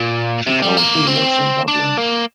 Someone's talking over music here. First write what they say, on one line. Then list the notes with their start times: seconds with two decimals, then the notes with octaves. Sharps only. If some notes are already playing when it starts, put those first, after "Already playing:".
She currently lives in Dublin.
Already playing: A#2
0.46 C3
0.62 G3
0.77 A#3
1.07 C4
1.68 D4
1.97 A#3